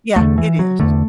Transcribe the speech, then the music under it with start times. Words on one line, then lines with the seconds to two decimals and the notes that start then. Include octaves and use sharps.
Yeah, it is.
0.16 E2 D3 A3
0.38 E3
0.59 F#3
0.79 E2 D3 A3